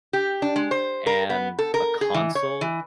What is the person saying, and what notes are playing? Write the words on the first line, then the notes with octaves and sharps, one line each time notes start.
and a console,
G4
D4
G#3
C5
A#4
B3
A4
A#4
G#4
E3
C#5
E3